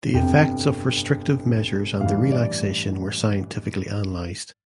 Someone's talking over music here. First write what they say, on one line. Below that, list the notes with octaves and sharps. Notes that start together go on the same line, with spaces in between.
The effects of restrictive measures and their relaxation were scientifically analyzed.
G1 F2 C3 G5
A1 G2 E3 F5
D5